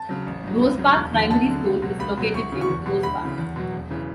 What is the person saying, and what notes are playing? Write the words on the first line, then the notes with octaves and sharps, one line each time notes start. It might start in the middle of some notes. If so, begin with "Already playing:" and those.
Rose Park Primary School is located in Rose Park.
Already playing: A5
C#3 F#3
A1
G2 F#3
C#2
C#3 F#3
E1
E2 D3 F#3
D2 A5
D3 F#3
C#2
B2 F#3
C#2 B5
B2 F#3
D2 C#6
C#3 E3
C#6
E2
B2 F#3
D2 B5
C#3 E3
E2
B2 F#3
E1
C#3 E3